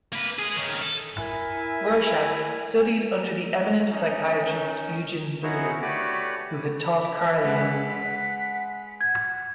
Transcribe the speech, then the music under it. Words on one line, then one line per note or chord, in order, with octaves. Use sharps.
Rorschach studied under the eminent psychiatrist Eugen Bleuler, who had taught Carl Jung.
A#3 B4
G#3 G#4
D#3 C#4
A4
E4 A#4 E5 G#5
C#4 D#4
B3 C#4 D#4 E4 F#4 G#4
A3 F#4 G4 B4 C#5 D5
B5
G#3 B4 F#5 B6
F#5 G#6